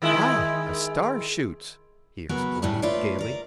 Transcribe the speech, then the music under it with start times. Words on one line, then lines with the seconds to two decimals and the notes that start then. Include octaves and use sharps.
"Ah, a star shoots!" he exclaimed, gayly.
0.02 D#3 G#3 E4
2.29 C#3 F#3 B3 F#4 A#4 B4
2.62 D2 A2 G3 C#4 D4
2.82 A3 F4 B4 C#5 D5
3.19 A#4 D5